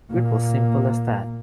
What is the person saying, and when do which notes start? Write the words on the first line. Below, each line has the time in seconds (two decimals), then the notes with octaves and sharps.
It was simple as that.
0.11 A#2 A#3